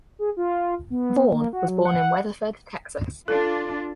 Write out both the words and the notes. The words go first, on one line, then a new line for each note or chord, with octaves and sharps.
Vaughn was born in Weatherford, Texas.
G#4
F4
B3
A#3
F#4
F#3
F#5
D4 F4 A4